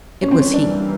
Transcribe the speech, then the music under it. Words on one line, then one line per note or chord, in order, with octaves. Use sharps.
It was he.
E3 G3 A#3 C#4
C4
C#4
D4